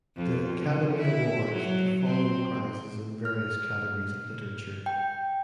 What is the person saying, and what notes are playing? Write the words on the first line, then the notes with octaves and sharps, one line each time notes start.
The Akademi awards the following prizes in various categories of literature.
F2
C#3
E4
F#3
C4
F6
G5